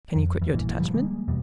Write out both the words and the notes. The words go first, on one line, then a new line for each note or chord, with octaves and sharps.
"Can you quit your detachment?"
F2
E2
A#1 G2 A#2 E3
D3 F3 G3
G3 G#3 A#3
F1 E2 B2 G3